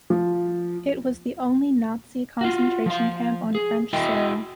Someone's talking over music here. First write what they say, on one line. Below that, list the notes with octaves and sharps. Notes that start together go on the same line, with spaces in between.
It was the only Nazi concentration camp on French soil.
F3
F4 F#4
F3 F5
G#4
E4 F#4 D#5 E5 G5